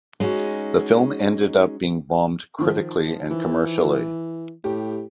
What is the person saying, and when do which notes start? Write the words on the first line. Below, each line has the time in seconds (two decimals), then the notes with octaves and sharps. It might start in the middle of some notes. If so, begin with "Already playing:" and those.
The film ended up being bombed critically and commercially.
0.20 G#3 C#4 D#4 F#4
2.59 D#3 F3
3.30 E3
4.64 A2 G4